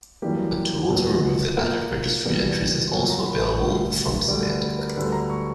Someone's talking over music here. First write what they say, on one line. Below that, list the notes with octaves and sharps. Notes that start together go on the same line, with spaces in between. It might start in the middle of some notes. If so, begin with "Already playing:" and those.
A tool to remove the added registry entries is also available from Symantec.
F#2 E3 G3 A#3 G4
C#2 B2 F#3 A#3
A#2 A#3 A#4
E2 B2 G3 A#3
A#2 F#3 A#3 C#5
A#5
B5
C#6
D2 D3 G3
D2 D3 G3 D5
B4
B4
A#4
D2 D3 G3 B4
A#5
C#6